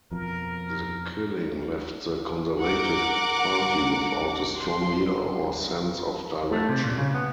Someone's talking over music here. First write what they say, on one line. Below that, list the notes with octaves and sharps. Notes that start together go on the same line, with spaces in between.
The killing left the Conservative Party without a strong leader or sense of direction.
F2 B2 F3 A#4
A#4 F#5 D6
C6
A3
C3
A#2
C#3
B3